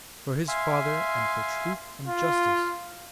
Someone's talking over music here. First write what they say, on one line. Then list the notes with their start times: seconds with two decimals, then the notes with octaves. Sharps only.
For his father and for truth and justice.
0.48 E5 F5 G#5 C6
2.08 F4